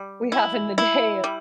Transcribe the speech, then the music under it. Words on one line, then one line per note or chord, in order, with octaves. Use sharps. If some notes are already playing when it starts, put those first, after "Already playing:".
we have in the day, and
Already playing: G3
E4
E4
G3